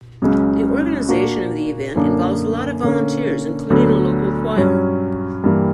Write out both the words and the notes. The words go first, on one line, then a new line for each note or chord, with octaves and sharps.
The organization of the event involves a lot of volunteers, including a local choir.
C#2 C#3 F#3
A#2 A#3 D4 F#4
F#2 D3 A#3 D4
D3 A#3 C#4
D2 D3 F#3 B3
G2 F#3 C#4
G2 E3 G3 A#3